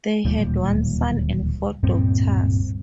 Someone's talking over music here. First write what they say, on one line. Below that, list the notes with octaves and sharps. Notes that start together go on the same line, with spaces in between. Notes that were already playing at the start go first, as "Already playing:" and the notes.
They had one son and four daughters.
D1 D#2 A#2 G3
D1 G2 A#2 C4